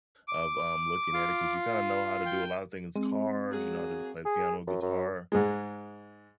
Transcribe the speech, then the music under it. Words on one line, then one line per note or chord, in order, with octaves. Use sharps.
of, um, looking at it, 'cause you kinda know how to do a lot of things, cars, you know how to do play the piano, guitar,
D6
F4 F5
G5
G#3 C4
F#3 A#3 G#4
G#4
F#2
F#2
G#2 G#3